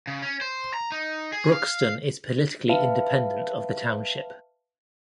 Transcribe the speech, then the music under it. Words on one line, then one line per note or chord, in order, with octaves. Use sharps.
Brookston is politically independent of the township.
C#3
C#4
C5
A#5
D#4
G#4
F5
B4 E5 F5 A5